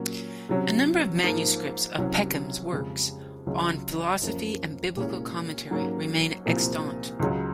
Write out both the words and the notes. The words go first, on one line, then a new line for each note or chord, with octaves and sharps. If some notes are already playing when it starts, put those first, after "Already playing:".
A number of manuscripts of Peckham's works on philosophy and biblical commentary remain extant.
Already playing: A#2 F#3 A#3 C#4
C3 F#3 C#4
G#2 F3 A#3
C2 C3 F#3 C#4
F2 C#3 G#3
C#2 C#3 F#3 C#4
F#2 F3 A#3 C#4
C2 A#2 G#3 C#4
G#2 F#3 A#3 C#4
C2 A#2 F3 C4
C#2 C#3 F#3 C#4